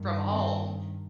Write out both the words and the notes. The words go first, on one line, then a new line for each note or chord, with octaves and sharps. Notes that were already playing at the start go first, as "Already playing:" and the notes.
from home
Already playing: G2 D#3
C4